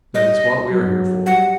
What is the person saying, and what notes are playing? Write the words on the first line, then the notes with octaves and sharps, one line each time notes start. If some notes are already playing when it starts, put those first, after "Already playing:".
That is what we are here for.
G3 D#5
F#3
G3 F#5